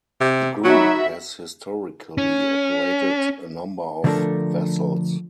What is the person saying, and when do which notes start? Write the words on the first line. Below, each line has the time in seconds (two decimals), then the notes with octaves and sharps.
The group has historically operated a number of vessels.
0.21 C3
0.64 F#3 D#4 F#4 E5 B5
2.18 C#4
4.04 D3 F3 A3 D4 A4 A#4